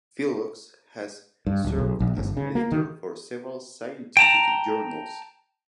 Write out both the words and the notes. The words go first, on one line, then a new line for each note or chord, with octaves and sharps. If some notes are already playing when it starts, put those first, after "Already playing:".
Filloux has served as an editor for several scientific journals.
G2
D1
B1
A#1
G1
C#3
A#3
D#3
G5 A5 A#5